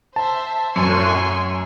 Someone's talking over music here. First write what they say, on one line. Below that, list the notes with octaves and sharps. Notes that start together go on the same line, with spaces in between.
where, uh
C5 E5 A5
F#2 G#5 C6 C#6